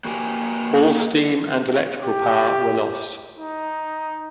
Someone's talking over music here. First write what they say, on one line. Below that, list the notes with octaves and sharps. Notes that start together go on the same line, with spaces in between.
All steam and electrical power were lost.
A#3 F#4 G4 A#4 B4 G#5
G4
D#4